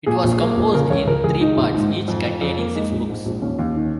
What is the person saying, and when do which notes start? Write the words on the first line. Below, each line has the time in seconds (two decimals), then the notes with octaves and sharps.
It was composed in three parts, each containing six books.
0.06 A#2 G#4
0.24 A#1
0.40 A#3
0.57 A#1
0.73 C#3 A#4
0.90 C#2 C#5
1.07 C#2 A#4
1.24 C#2 G#4
1.41 D#3 D#4
1.57 A#1
1.74 G#2
1.91 G#2
2.08 F2
2.25 F2
2.41 F2
2.58 A#3
2.75 G#3 D#4
2.92 A#1
3.09 G#2
3.26 A#1
3.42 D#2 C#4
3.59 D#2
3.76 D#3